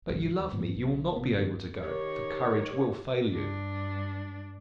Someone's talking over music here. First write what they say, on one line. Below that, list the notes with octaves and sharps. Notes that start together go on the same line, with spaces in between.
But you love me, you will not be able to go, for courage will fail you.
G#1 C#2 E3 F#3
D#2
G#2 E3 F3 B3
B1
C2 C3 B3
F#2 D#3
D#3 G4 C#5
G2 D4